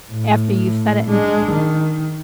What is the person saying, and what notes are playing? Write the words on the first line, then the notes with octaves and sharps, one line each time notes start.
after you've said it, and
A2
G#3 D4
D#3